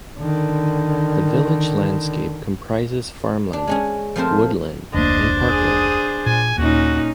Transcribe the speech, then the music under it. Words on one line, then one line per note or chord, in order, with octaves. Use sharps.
The village landscape comprises farmland, woodland and parkland.
D3 D#3
D4
G#3 C#4 G#4
F3 A3 C4 A#4 C5 A5
F1 D2 A#3 D4 C5 D#5
G#4 D#6
A#2 G#5
D#2 A#2 C#4 D#4 F#4